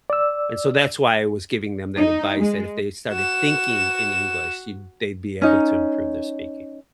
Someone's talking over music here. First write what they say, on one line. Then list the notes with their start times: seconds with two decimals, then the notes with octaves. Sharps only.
And so that's why I was giving them that advice that if they started thinking in English, you'd they'd be able to improve their speaking.
0.10 D5 E6
1.97 D#4
2.42 G#3
3.11 F#4 E7
5.42 C#4 D#4